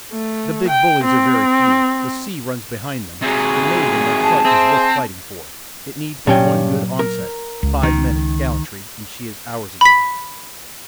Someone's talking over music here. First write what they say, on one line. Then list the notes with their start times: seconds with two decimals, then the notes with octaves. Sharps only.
The big bullies are very few; the sea runs behind them; the maid in their clutch is worth fighting for; it needs but one good onset, five minutes' gallantry, and she is ours again.
0.13 A3
0.68 G5
1.04 C4
3.22 C3 F#3 G#4
4.23 A5
4.45 C4 G#4 C5 E5
6.27 G2 A#2 F#3 C#4 G5
6.99 A#4
7.63 C#2
7.83 D#3
9.81 B5 B6